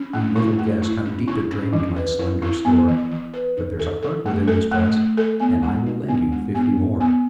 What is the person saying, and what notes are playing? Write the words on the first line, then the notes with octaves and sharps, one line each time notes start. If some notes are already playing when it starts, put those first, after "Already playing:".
You little guessed How deep it drained my slender store: But there's a heart within this breast, And I WILL LEND YOU FIFTY MORE!'
Already playing: C#4
A3
E4
A3
E4
C#4
E4
C#4
E3
B4
E4
E4
B3
E3
E3
B4
D#4
A4
A4
A3
A4
A3
A3
A4
B3
G#3
D#4
B3
G#3
B3
B3
B3